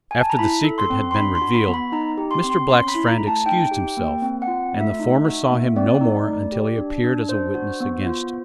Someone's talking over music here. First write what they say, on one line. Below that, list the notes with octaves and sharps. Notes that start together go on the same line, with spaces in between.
After the secret had been revealed, Mr. Black's friend excused himself, and the former saw him no more until he appeared as a witness against him.
G#5
A5
A#5
E4 B5
A4
C6
C4
C6
D4 B5
C6
F#4
B5
B3
B5
D#4 A#5
G4
C6
C4
C6
C#4 C6
B5
E4
A#5
A3
A5
D#4 G5
G4
A#3
C4
F#5
F4
A3
E5
D#4
F#4
A#3
C4 D5
D#4
A3
G4
D4
D4
D4 C5
F#4
B3
F4